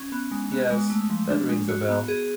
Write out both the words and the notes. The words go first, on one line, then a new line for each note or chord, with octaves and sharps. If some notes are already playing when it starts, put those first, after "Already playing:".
Yes, that rings a bell.
Already playing: C#4
B3
G#3
B3
G#3
A3
F3
D4
G#3
F#4
B3
G#4